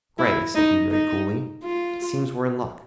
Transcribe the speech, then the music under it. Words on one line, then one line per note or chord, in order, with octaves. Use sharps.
"Grey," said he, very coolly, "it seems we're in luck."
E4
D#4
D#4
F4